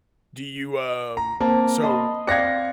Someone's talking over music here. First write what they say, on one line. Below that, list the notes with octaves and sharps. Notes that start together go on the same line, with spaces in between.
Do you, um so,
A#5
A#3 C4 A5
D#5 A5 B5 C6
C4 D5 F5 F#6 G#6 A#6 C#7